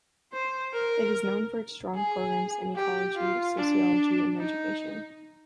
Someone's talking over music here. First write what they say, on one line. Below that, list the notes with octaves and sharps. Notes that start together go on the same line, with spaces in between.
It is known for its strong programs in ecology, sociology and education.
C5
A#4
G#4
G4
F4
D4
D#4